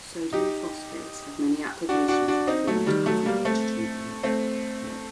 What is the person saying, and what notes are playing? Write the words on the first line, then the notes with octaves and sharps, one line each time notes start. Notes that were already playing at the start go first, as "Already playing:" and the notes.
Sodium phosphates have many applications in food and for water treatment.
D#4 G4
D4 F#4
D4 F#4
D4 F#4
C4 D#4
F#3 A3
D#3 G3
F#3 A3
G3 A#3
A3 C4
A3 C4